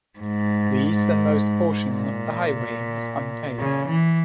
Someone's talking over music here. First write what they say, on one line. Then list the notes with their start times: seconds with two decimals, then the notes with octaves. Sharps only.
The easternmost portion of the highway was unpaved.
0.19 G#2
1.90 A#2
3.60 C#3
3.88 E3